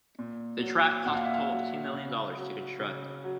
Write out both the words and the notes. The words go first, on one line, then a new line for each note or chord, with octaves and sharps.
The track cost a total of two million dollars to construct.
A#2
F#3
A#2 F#5
F5
E5
F5
F#3
C#3
F#3
C#3
F#3